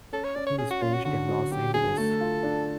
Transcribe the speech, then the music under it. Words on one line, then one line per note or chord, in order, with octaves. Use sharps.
He is based in Los Angeles.
C#4 A4
C#5
C#4 D5
C#5
C#4 G#4
F#4
C#4 F4
F#4
D3 F#4
F#3
F#3 G4
D3 G#4
A3 A4
F4
D4